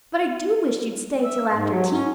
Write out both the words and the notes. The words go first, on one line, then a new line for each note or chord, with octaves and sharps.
But I do wish you'd stay till after tea.
E5
G#2
F#3
C#4